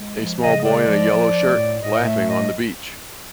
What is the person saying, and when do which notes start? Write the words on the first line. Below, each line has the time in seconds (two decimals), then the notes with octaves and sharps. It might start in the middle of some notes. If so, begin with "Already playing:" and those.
A small boy in a yellow shirt laughing on the beach.
Already playing: G#3
0.17 F3
0.40 C#3 D#5
0.60 D#5
0.64 G#3 D5
0.87 F3
1.11 F3
1.35 A3
1.57 A2
1.81 A2 D#5
2.04 A3 E5
2.27 A2 D#5